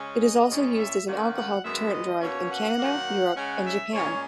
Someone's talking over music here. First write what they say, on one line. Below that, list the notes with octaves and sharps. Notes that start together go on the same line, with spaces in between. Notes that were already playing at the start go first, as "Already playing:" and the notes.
It is also used as an alcohol deterrent drug in Canada, Europe and Japan.
Already playing: C#3 G#3 C#4
D#5
A#2 G#3 C#4
E5
D#3 A#3 C#4 F#5
F#5
F#2 D#3 G#3 B3 E5
D#5
B2 A#3 C#4 C#5
F#5
D#3 F#3 A#3
C#3 G#3 C#4 F#5
E5
A#2 G#3 C#4 C#5